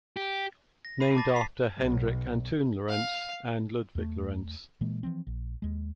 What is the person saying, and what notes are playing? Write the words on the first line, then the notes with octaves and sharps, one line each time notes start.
Named after Hendrik Antoon Lorentz and Ludvig Lorenz.
G4
A#6
B5 C7 D#7
A5 D6 A6 A#6
B6 C7
B1
F5
E2 A3
A#2 E3 G#3 A#3
E3 F3 C4
A#1
D#2 G#3